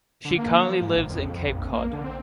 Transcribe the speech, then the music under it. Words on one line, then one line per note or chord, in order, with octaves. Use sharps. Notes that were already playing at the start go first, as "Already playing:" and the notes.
She currently lives in Cape Cod.
D3
A#3
F3
G#2
A#1
F2
F2
A#1
A#3
D3
C4